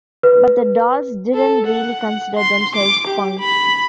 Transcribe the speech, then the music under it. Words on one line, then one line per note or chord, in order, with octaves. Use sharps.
But the Dolls didn't really consider themselves punk.
B4
A4
F#5
C6
D6
G4
B5